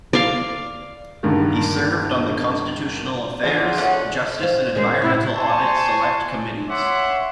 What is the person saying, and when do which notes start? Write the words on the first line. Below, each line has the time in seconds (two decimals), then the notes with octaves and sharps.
He served on the Constitutional Affairs, Justice and Environmental Audit Select Committees.
0.13 D5 F5
1.23 C#2 G2 D3 D#3
3.43 E2 G#2 D3 E3 F#3 F4 D5
3.77 A3 C#4 F#5
4.39 C5 F5
4.75 D#3 G#3 C#4 C5
5.02 A2 C3 B3 E4
5.35 C5 G#5 A5 C6 C#6
6.69 C#5 E5 F#5 C6 D6